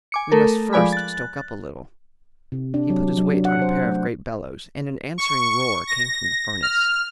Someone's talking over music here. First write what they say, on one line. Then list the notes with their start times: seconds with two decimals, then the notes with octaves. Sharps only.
"We must first stoke up a little." He put his weight on a pair of great bellows, and an answering roar came from the furnace.
0.12 G#5 D6 C#7
0.32 A3 A4 A#4
0.73 F3 G#3 D5 G#5 B5
0.93 F#6 A6
2.52 C3
2.74 D4
2.90 F#3
3.17 F#3
3.33 D4
3.45 F#5
3.62 C5
3.84 A3
5.18 C#6
5.87 A#6
6.62 F6